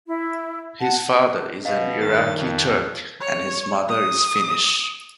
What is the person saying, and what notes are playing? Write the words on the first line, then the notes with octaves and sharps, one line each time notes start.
His father is an Iraqi Turk and his mother is Finnish.
E4
F#5 A5
B2 D#5 F5
G2 D#3 A6
F2
C#5
D#6